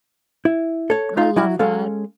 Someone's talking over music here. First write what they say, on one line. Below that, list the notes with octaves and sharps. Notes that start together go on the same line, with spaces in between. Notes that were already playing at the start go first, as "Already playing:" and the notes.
I love that.
E4
A4 C#5
D#4 F4
F#3 E4 F#4
G#3 C#4 A4 F5